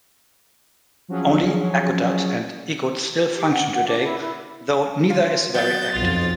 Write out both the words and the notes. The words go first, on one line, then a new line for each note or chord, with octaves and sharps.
Only Agudath and Iggud still function today, though neither is very active.
F3 F#3 C#4 G#4
G4
F#5
F#5
D4
E4
E4
F4
F#3 B3 D#5 G6 A6
B1 F2 F4